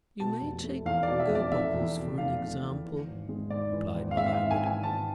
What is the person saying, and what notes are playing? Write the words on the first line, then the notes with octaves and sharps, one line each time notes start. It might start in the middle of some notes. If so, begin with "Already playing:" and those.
"You may take Gobobbles for an example," replied Mother Hubbard.
B2 A5
F1
A3
E2 F5
B2 D5
E5
F1
D5
A3 E5
E2
B2
F1 F5
A3
E2
E3
G#1
G#3
G#2 D5
E3
G#1
F5
G#3 E5
F5
E5
G#2
G#5
E3 G#5
G#1 A5